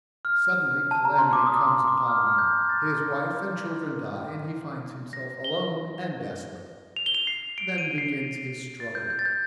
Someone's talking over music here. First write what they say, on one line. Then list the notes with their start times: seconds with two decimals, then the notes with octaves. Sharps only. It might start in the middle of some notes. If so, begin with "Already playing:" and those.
Suddenly calamity comes upon him, his wife and children die and he finds himself alone and desolate. Then begins his struggle.
0.25 F6
0.91 A5
1.05 A#5
1.19 C6
1.33 D6
1.47 D#6
1.68 C6
1.88 D6
2.08 F6
2.27 F6
2.38 G6
2.69 A6
5.13 A#6
5.44 G7
6.96 F7
7.06 G7
7.15 F7
7.27 C7
7.58 D7
7.78 D#7
7.98 C7
8.80 A6
8.95 G6
9.10 G6
9.19 A6
9.25 G6